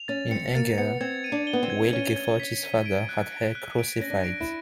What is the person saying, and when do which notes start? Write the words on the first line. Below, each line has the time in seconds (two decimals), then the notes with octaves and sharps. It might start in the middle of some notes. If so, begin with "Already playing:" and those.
In anger, Wilgefortis's father had her crucified.
Already playing: F7
0.08 C#4 A6
0.31 C4 C#7
0.55 A#3 A6
0.78 B3 C#7
1.01 C4 G#6
1.24 D#7
1.32 D4
1.47 G7
1.53 B3
1.63 C4
1.70 G#6
1.93 C#4 D#7
2.16 G#6
2.40 B6
2.63 D#7
2.86 D7
3.09 F#6
3.32 D7
3.55 F#6
3.78 D7
4.00 C#4 A#6
4.10 D4
4.24 D7
4.40 E4